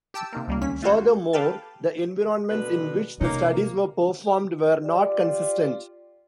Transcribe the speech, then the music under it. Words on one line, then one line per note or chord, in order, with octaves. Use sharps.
Furthermore, the environments in which the studies were performed were not consistent.
G4 G5 A5 E6
C3 D#3 A#3
C#2 G3 A#3
D#2 C#4 B6
A3 F4 F#4 C5 C#5
G4 A4 B4 F5 G5 A5
B2 D3 B4
C3 A#3 C#4 D#4
A#3
F4 G4 D5